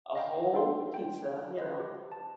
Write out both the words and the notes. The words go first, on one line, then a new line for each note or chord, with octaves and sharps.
a whole pizza, you know,
D#5 F5 G5
D4 D#4 A4 F5 G5 C6
G5
B4 C5 D#5
G4
A5